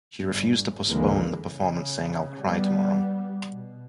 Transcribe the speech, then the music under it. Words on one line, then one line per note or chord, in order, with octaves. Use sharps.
She refused to postpone the performance saying I'll cry tomorrow.
G1
C#2 F#2 D3 E3 G#3 A#3
C#3
G3 B3
B2